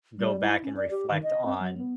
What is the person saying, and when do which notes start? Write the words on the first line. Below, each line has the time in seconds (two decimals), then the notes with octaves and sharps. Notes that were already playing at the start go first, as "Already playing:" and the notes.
go back and reflect on,
0.18 G3
0.42 E4
0.64 C#4
0.77 D5
0.91 G4
1.11 D#3
1.23 D#5
1.46 C4
1.60 F#3
1.78 B3